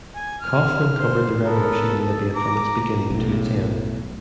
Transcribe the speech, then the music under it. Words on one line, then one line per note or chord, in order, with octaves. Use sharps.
Kofman covered the revolution in Libya from its beginning to its end.
G#5
F6
C5
B3 A4 A#4
A4
A#5 D6
B1 A2